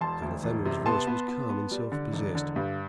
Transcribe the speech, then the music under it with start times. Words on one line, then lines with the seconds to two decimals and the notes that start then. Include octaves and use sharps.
Sir Nathaniel's voice was calm and self-possessed.
0.01 E1 A5 C6
0.22 D2
0.43 E1
0.65 C3
0.86 B3 A5 C6
1.07 B3
1.28 B3
1.49 B3
1.71 G3
1.92 D3
2.13 E1
2.35 D3
2.56 G2